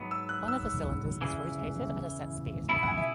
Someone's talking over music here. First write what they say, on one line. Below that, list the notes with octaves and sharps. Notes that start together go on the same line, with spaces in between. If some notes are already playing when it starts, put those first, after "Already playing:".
One of the cylinders is rotated at a set speed.
Already playing: G#2 F#3 B3
E6
F#6
E6
E2 C#3 E3
C#2 B2 B3 E4 B5
F#5
G#5
E5